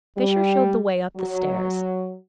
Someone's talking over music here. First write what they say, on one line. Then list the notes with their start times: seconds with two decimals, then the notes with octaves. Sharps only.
Fisher showed the way up the stairs.
0.18 G3
1.17 F#3